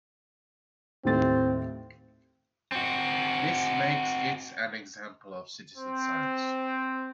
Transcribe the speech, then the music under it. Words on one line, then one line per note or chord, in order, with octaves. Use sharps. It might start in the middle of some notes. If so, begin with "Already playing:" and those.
This makes it an example of citizen science.
D#2 A2 C4 A6
C4 F#4
C4